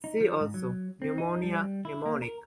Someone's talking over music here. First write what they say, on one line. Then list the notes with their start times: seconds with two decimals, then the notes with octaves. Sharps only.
"See also:" Pneumonia, Pneumonic.
0.04 D#4
0.20 F3
0.40 G#2
0.54 F#3
1.02 C4
1.18 D#4
1.43 G3
1.85 E4
2.06 A#3
2.22 A#4